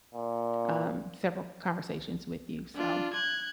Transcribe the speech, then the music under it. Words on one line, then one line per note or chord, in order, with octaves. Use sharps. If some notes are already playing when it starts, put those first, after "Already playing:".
um, several conversations with you. So,
A#2
D4 F4
F#6 G#6